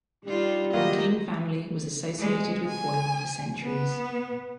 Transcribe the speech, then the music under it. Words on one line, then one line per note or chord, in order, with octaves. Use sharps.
The King family was associated with Boyle for centuries.
G3 D4 D#4 F4
D#3 F#3 A#3 F4 G4 D#5
G#3
G#5
B3